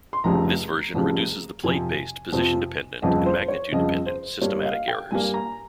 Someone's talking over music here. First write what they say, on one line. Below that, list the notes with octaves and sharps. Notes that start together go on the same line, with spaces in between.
This version reduces the plate-based position-dependent and magnitude-dependent systematic errors.
C6
F1 F2 C#3 G3 A#5
F1 F2 C#3 G3
F2 C3 F3 G#5
F2 C3 F3
G1 F2 C#3 D#5
C5
C#5
G1 F2 C#3 D#5
C5
G2 G3 A#3 C#5
D#5
F5
G5
G2 G3 A#3 G#5
A#5